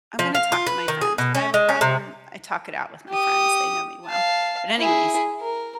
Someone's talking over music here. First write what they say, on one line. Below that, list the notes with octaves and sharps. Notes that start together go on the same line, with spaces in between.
I'm gonna talk to my friends. If I have a problem, I talk it out with my friends. They know me well. But, anyways,
F3
F5
F4
B4
D#3
G#4
B2
C#4
G#3
C#4
C3
G4 D#6
F5 A5
E4 G#4
A#4